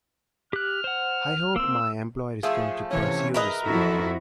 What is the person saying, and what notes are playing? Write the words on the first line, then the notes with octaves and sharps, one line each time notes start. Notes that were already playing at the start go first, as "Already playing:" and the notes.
I hope my employer is going to pursue this matter.
G4 F6 F#6
C5 F#5
A#3 C4 E6
F3 A3 G#4 A4
C3 E3 C#4 C#5
G#4 A#4 B4 D#5 E5 A#5
F2 E4 F#4 A4